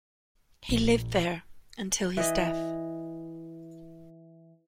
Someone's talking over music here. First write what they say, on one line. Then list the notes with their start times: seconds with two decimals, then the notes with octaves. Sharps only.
He lived there until his death.
0.69 A#1
2.17 E3 D#5